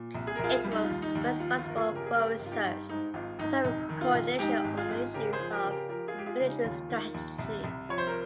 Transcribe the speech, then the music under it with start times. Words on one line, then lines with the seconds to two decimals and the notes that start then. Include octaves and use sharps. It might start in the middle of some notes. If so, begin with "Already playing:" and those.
It was responsible for research, and some co-ordination, on issues of military strategy.
Already playing: A#2
0.15 C2
0.27 G#4
0.36 A#4
0.39 C2 F4 G#4
0.64 G3
0.71 D#4
0.84 F4
0.90 D#2
1.02 D#4
1.15 D#2
1.21 D#4
1.39 F3 F4
1.58 F4
1.64 G1 A#4
1.76 F4 G#4
1.90 C#3
1.95 G4 A#4
2.06 G#4
2.14 G2 G4 A#4
2.40 G#1
2.46 F4
2.52 D#4 G4
2.64 G2
2.89 G#2 D#4
3.14 G#1 F4
3.39 G#1 D#4
3.64 F1 D#4
3.89 D#3
4.01 F4
4.15 F1
4.39 G#3 D#4 G4
4.64 G#1
4.77 F4 G#4
4.89 G#1
5.14 C#3 G4 A#4
5.33 G#4 C5
5.39 F3
5.51 G4 A#4
5.64 C#3
5.70 G4 A#4
5.89 F3 G4 A#4
6.08 F4 G#4
6.14 G#3 G4
6.26 F4 G#4
6.39 C#3
6.45 D#4 G4
6.64 D#2 F4
6.89 D#3
7.14 D#2
7.39 C2
7.64 C2
7.89 F3 C#5
7.98 C5
8.07 A#4